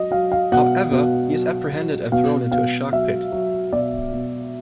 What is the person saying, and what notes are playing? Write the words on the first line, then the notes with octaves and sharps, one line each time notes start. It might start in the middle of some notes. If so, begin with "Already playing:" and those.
However, he is apprehended and thrown into a shark pit.
Already playing: F#3 D#5
F#3 F5
F5
B2 F#5
B2
F#3
F#3
B2 F5
B2 F5
F#3 E5
F#3
B2 D5
B2